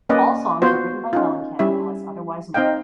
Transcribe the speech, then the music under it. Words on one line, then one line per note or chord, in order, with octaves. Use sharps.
All songs were written by Mellencamp unless otherwise noted.
A#3 C#4 B4 D5 D#5
B3 F4 F#4 C5
C#4 D#4 F4
G3 C#4 E4 E5
C4 D#4 D#5 F5 G5